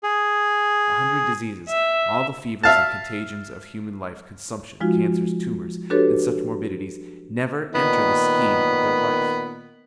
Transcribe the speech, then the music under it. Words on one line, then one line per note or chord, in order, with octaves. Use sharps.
A hundred diseases, all the fevers and contagions of human life, consumption, cancers, tumours and such morbidities, never enter the scheme of their life.
G#4
E5
E5 F5 A5
F3 G#3 D#4 F4 F#4
D4 F#4 G4 A4 B4 C#5
A#2 D#3 B3